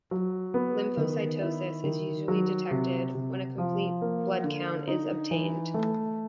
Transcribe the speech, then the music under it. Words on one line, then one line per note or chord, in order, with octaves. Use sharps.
Lymphocytosis is usually detected when a complete blood count is obtained.
F#3
B3
D#3
E4
D#3
F#3
C3
C3
F3
A#3
D3
D#4
E3
A3